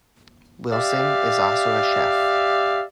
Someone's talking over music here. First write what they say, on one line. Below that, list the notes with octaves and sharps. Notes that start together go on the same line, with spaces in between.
Wilson is also a chef.
G4 D5 E5 F5